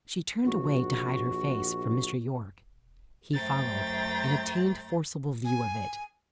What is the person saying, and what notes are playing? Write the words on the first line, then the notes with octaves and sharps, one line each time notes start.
She turned away to hide her face from Mr. Yorke. He followed and obtained forcible view of it.
A#1 F#4
F#2 A3 C5 G5 A#5 A6
G#5